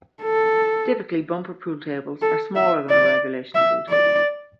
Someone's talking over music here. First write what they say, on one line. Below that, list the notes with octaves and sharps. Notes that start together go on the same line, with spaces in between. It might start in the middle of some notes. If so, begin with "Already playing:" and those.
Typically bumper pool tables are smaller than a regulation pool table.
A4
A4
E5
D5
E5
D5